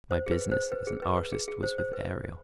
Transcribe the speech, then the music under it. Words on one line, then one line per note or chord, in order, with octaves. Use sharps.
My business as an artist was with Ariel.
C5
G#4
B4
C5
B4
G#4
B4
B4
G#4
G#4
C5
C5
B4